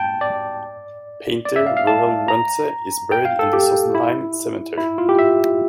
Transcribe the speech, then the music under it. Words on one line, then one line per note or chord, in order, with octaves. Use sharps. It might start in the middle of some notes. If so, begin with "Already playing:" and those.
Painter Wilhelm Runze is buried in the Sossenheim Cemetery.
Already playing: G5 A5
D5
D5
E5
F5
F5
A5
A#5
G5
F5
A4
G4
E4
E4
F4
G4
E5